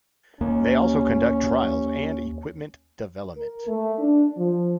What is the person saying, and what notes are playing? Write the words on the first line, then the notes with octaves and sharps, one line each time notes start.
They also conduct trials and equipment development.
D#2 A#3 C#4
A#4
A3
D4
F3